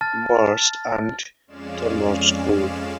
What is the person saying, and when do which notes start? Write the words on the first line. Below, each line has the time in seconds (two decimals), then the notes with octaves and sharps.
Morse, and Thomas Cole.
0.01 A5 F6 A6
1.47 F2 G#3 C#4 D5 F5 E7